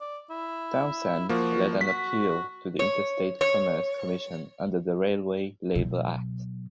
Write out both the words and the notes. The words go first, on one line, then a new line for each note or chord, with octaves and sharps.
Townsend led an appeal to the Interstate Commerce Commission under the Railway Labor Act.
D5
E4
F3 A#3 F#4
F#4 B6
C#5
C#5
B2 F#3